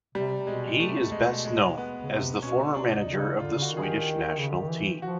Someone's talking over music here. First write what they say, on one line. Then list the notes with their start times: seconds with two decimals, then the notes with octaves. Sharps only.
He is best known as the former manager of the Swedish national team.
0.15 C3 G3
0.47 B2 G#3
0.72 B2
0.80 C3 A3
1.12 B2 G#3
1.45 G#3
1.78 B3
2.03 C#3
2.10 C3
2.42 B2 C#4
2.74 C3 D4
2.97 D#4
3.08 C#3
3.19 D#4
3.40 D3 F4
3.54 C#3
3.62 D3 F#4
3.73 D#3 G#4
3.83 G4
4.39 C#3
4.49 D3
4.59 D#3
4.70 E3
5.02 F3 F#4